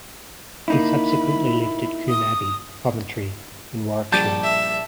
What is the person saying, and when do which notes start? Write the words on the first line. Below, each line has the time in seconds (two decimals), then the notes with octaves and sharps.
He subsequently lived at Coombe Abbey, Coventry in Warwickshire.
0.68 A#3 D#4 E4 B5
2.09 D#6
4.12 A#1 G3 A5 D6 G6 A6
4.43 E5